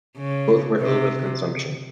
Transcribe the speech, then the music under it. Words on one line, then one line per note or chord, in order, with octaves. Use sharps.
Both were ill with consumption.
C#3
C3